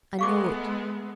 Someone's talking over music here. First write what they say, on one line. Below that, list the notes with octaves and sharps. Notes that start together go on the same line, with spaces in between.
I know it.
G#3 A3 B3 F5 C#6 D6